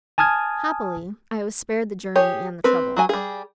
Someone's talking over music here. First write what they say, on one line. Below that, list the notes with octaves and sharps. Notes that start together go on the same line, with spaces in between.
Happily, I was spared the journey and the trouble.
G#5 A5 D#6 F6 G#6
G4 G#4 C#5
C4 B4
F#3 F#4 G#5
G3 G#4